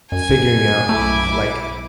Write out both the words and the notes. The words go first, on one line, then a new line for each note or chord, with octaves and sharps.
figuring out I I like
F#2 G#5
B1 A3 E4 D6